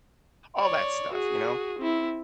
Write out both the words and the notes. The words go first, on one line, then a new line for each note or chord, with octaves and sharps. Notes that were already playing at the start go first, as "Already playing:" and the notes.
all that stuff, you know,
C#5 D5
F#4 G#4
C4 E4